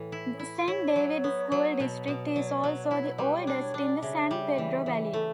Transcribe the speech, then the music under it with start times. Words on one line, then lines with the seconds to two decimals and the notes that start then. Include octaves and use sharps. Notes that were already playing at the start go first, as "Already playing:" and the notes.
The Saint David School District is also the oldest in the San Pedro Valley.
Already playing: A2 E3
0.12 E4
0.40 E4
0.68 E4 C#5
0.96 F#3
1.24 B3
1.52 F#3
1.80 B2
2.08 B2
2.35 F#3 D5
2.47 C#5
2.58 D5
2.64 F#3
2.77 C#5
2.84 D5
2.91 E4 C#5
3.18 G3 B4
3.40 C#5
3.47 D4
3.60 C#5
3.74 D4
3.81 D5
4.02 C#3 E5
4.31 G3
4.58 E3
4.86 E3
5.13 A3